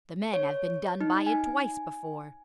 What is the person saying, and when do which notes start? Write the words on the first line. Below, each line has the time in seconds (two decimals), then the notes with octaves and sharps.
The men have been done by it twice before.
0.34 C#5
1.01 D#4
1.26 G#5